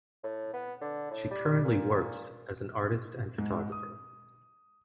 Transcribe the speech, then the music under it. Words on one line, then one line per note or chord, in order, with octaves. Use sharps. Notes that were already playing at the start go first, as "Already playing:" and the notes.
She currently works as an artist and photographer.
A2
B3
D3
A2
G3
A#2
G#2
D#6